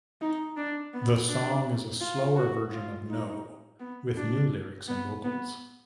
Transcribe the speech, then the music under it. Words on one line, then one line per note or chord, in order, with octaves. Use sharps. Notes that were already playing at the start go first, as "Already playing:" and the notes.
The song is a slower version of "No" with new lyrics and vocals.
D#4
D4
B3
D4
F4
F#4
F4
D#4
B3
D4
B3
B3